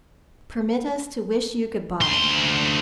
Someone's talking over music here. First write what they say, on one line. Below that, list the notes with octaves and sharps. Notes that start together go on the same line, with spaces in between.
Permit us to wish you good-by.
D2 C6